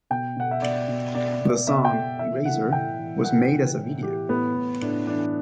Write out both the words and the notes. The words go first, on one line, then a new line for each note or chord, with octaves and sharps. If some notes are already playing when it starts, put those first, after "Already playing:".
The song, "Eraser" was made as a video.
B2 G5
B2 F#5
E5
B2 D5
B2
B2 D5
B2
B2 E5
G5
B2
E3 E5
E3 F#5
A2 G5
E3
E3 F#5
E3
A2
E3 G4
A2 B3
A2
A2 D4
E3 D4